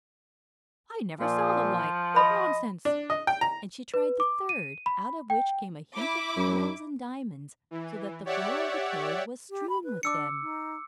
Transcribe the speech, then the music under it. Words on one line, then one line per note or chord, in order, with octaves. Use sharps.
"I never saw the like--what nonsense!" and she tried the third, out of which came a heap of pearls and diamonds, so that the floor of the cave was strewn with them.
A#2 F3
D#5 B5
D4
D#5
G5
A#5
B4
D6
D#7
B5
G5
E4 D6
F#2
E3
G4 C#5 D5 E5 F#5
G4
B5
B4
D4 D6 E6 C#7
D#4